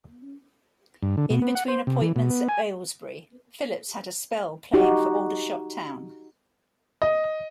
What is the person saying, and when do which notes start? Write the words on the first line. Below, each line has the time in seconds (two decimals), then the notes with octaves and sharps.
In between appointments at Aylesbury, Phillips had a spell playing for Aldershot Town.
1.03 G2
1.17 D3
1.30 B2
1.42 B3
1.55 F#5
1.68 C5
1.87 C3
2.02 E3
2.16 B2
2.30 B3
2.49 G#5
4.74 D#4 F#4 G4
7.02 D#5